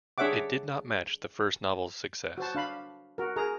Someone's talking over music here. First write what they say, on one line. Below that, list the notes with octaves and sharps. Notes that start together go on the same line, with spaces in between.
It did not match the first novel's success.
D4 G#4 C#5 E5 F#5 D6
F#4 C5 A5
D4 F5 B5
F#4 A#4
G#4 A#4 A#5